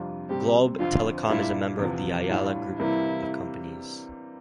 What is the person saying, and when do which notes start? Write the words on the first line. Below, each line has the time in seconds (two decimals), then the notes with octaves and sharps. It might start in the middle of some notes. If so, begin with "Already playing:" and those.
Globe Telecom is a member of the Ayala Group of companies.
Already playing: F2 C3 G3 D4 F4
0.29 C3 G3 C4 G4
0.79 F2 D3 F3 C4 F4
1.29 A#2 G3 D4 E4 F4
1.79 E2 C3 F3
2.29 A2 G3 D4 F4
2.79 C3 E3 G3 A#3 E4